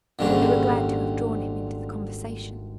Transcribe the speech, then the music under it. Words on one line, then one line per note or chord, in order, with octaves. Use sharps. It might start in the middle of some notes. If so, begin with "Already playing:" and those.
They were glad to have drawn him into the conversation.
G#1 A#2 D3 G3 C#4 D4